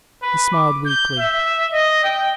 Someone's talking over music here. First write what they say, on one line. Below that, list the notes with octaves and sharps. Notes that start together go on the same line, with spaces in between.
He smiled weakly.
B4
D6
G6
E5
D#5
G5